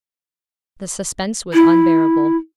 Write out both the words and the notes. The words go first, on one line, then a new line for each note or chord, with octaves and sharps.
The suspense was unbearable.
E4